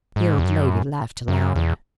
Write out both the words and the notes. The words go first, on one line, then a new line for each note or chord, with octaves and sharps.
The old lady laughed aloud.
G#2
E2
F#2
F#2
E2